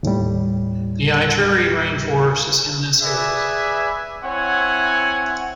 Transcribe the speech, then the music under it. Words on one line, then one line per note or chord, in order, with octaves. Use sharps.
The Ituri Rainforest is in this area.
D#2 A2 G3
G#4 B4 D5 E5 G#5
C4 E4 C#5 F#5 G#5